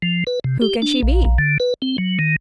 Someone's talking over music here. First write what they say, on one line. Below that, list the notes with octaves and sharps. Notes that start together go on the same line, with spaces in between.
Who can she be?
F3
B4
C3
G4
D4
A#1
A#1
D3
B4
C4
F#3
D#3